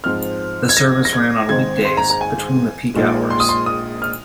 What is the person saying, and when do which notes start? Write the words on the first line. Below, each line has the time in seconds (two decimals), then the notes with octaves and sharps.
The service ran on weekdays between the peak hours.
0.04 G#2 F3 C4 F6
0.69 G#6
0.77 A#6
1.05 A#6
1.13 G#6
1.49 G#1 G#2 G#3 C4 D#4 G#6
1.85 C6
1.97 A#5
2.10 A#5
2.21 G#5
2.94 A#1 A#2 G#3 D#4
3.30 C6
3.40 D#6
3.49 C6
3.66 D#6
4.02 F6